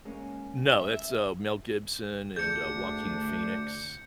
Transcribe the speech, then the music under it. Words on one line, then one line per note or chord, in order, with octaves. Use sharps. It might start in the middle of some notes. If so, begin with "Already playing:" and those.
No, that's, uh, Mel Gibson and, uh, Joaquin Phoenix.
G#3 A#3 C#4
E5
D2 D4 G#4 G6 C#7